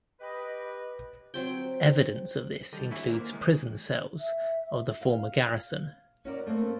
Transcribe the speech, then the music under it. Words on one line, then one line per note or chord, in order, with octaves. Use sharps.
Evidence of this includes prison cells of the former Garrison.
G4 B4 D#5
F#3 C4 G5
D#3 G3 A4 B4
D3 E4 F#4 B4 G#5
A#3 A#4 C5
D#3 E3 G#3
E5
F5
C#4 F#4 A#4 D5
A3 A#3 C4